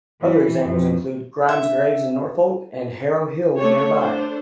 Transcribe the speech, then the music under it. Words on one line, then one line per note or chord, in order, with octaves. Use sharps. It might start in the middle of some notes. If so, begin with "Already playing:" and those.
Other examples include Grimes Graves in Norfolk, and Harrow Hill nearby.
E3
F2
E5
A3 D4 C#5
D4 A4 C5